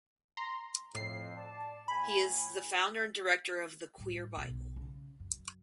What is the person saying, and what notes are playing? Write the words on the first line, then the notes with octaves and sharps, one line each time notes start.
He is the founder and director of "The Queer Bible".
A#5 C6
F2 A2 C7
D5 A5
A2 G#5 B5
A2 G3
B1
C#3
F#2